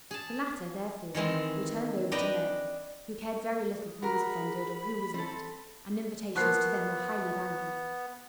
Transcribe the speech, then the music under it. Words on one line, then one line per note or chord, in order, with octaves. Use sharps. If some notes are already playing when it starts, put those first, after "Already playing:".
The latter, therefore, were turned over to Mary, who cared very little who was offended or who was not, and invitations to them were highly valued.
G#4 A5
D#3 E3 G#3 C4
D4 B4 D#5 G5 A#5
G#4
F#4 A#4 B5
C4 A4
F3 A#3 B3 C#6 F#6 C7